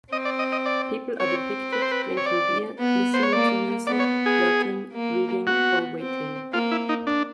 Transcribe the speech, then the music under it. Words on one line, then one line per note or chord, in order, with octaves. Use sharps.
People are depicted drinking beer, listening to music, flirting, reading, or waiting.
C4 D#5
D5
D#5
D#5
D5
C4 C#5
B4
C5
B4
C#5
D5
B3
C5
C#5
A#3 D5
B3 D5
C#5
G#4
A#3
B3 F#4
C4
A#3 F4
E4
D#4
D4